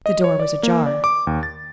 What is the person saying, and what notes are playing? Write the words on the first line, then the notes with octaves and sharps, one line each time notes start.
The door was ajar.
D#5
C#5
D5
A#3
D5
D6
D#2
A6